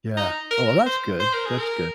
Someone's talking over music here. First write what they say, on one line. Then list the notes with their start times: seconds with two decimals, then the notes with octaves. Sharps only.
Yeah, oh well, that's good, that's good.
0.17 D#4
0.51 A#4
0.86 C5
1.20 C5
1.33 A#4
1.46 G#4
1.59 A#4